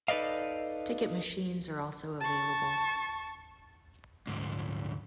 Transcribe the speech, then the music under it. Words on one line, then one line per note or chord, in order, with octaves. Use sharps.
Ticket machines are also available.
D#4 A4 B4 D5 D#5 F5
A5 C#6
D2 G#2